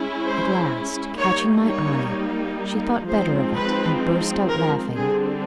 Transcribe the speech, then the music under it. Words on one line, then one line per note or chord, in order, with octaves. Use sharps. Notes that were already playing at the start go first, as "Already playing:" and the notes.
At last, catching my eye, she thought better of it, and burst out laughing.
Already playing: G#3 C#4 E4
C5
G3 A#3 D#4 C#5
C#5
F3 G#3 C4 D#4 C5
B4
A#4
D3 G3 C4 G#4